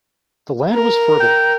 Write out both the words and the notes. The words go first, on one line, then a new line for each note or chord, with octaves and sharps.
The land was fertile.
A#4
G5